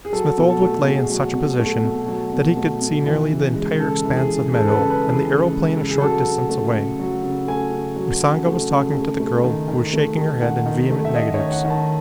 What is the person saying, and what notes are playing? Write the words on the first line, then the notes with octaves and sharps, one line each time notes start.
Smith-Oldwick lay in such a position that he could see nearly the entire expanse of meadow and the aeroplane a short distance away. Usanga was talking to the girl who was shaking her head in vehement negatives.
G#4
F#3 A4
B2
A4
A3
B2 G#4
F#3
B2
A3
B2
F#3
B2
A3
B2
E3
C#3
G#3
C#3 A4
E3
G#4
C#3
G#4
G#3 A4
B4
A4
C#3
B4
E3
G#4
C#3 G#4
G#3
C#3
G#4
F#3 A4
C#3
A3
C#3
F#3
C#3
A3 G#5
C#3
F#3
C#3
A3
C#3
A3
A3
D#3
D#3
A3
A3
D#3 F#5
D#3
A3
E5
A3 D#5
C#5
D#3
F#5
D#3
A5